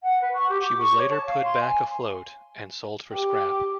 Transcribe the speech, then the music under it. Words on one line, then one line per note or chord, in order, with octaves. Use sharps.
She was later put back afloat, and sold for scrap.
F#5
B4
C#6
G4
D6
C#6
C#5
A5
F5
C6
G#5
G4